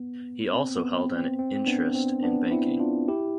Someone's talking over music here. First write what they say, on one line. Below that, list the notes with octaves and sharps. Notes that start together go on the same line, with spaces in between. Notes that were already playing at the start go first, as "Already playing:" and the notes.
He also held an interest in banking.
Already playing: B3
C4
B3
C4
C4
C4
C4
B3 D4
C4
B3 D4
C4 E4
D4 F4
E4 G4